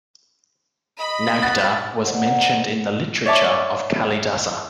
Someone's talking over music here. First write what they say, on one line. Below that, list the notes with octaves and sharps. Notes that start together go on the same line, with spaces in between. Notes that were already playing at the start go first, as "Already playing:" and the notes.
Nagda was mentioned in the literature of Kalidasa.
D#5 B5
F#4 B4 A6
A4 A#4 C5 D5 D#5 F#5
C#5 D5 E5 A5 D6